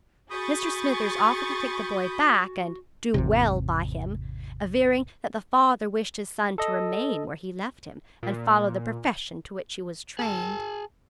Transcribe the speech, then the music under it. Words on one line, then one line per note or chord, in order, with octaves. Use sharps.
Mr. Smithers offered to take the boy back and "do well by him," averring that the father wished his son to remain where he left him, and follow the profession to which he was trained.
F#4 G#4 B5 C#6 D#6 G6 A6
G#1 E2 C3
A4 D#5
A#2
G#4 A5